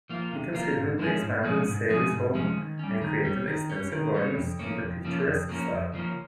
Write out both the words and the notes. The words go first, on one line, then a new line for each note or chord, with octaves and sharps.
He considerably expanded Sayre's home and created extensive gardens in the picturesque style.
F3 A#3 F4
C3
F3 A#3 F4
G#2
F3 G#3 C#4 G#4
G#2
F3 G#3 C#4 G#4
G#2
F3 G#3 C#4 G#4
G#2
F3 G#3 C#4 G#4
D#3
G3 C#4
D#3
G3 C#4
D#3
G3 C#4
D#3
G3 C#4
F2
C#3 F3 A#3 C#4
F2
C#3 F3 A#3 C#4
F2
C#3 F3 A#3 C#4
F2
C#3 F3 A#3 C#4